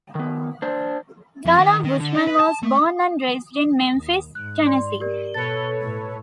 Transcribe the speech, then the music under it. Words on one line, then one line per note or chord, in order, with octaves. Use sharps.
Dana Buchman was born and raised in Memphis, Tennessee.
D#3 B3
D4 C5
F2
D#3
D#3
D3
D4
B4
A5
A3
D#2
G#2 F#6
D5 C6
G4 A#4 D5
B2 A4 B4 C#5 A6 C#7
A2